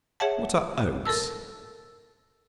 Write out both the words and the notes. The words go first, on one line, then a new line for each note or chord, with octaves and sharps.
What are Oats?
G#4 C#5 E5 F#5 A5
A4 A#4 A5 E6